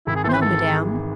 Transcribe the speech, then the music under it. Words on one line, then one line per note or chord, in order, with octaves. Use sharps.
"No, Madame."
G#1 E4
G#4
E3 A4 C5
B4
G#2 A4
G#3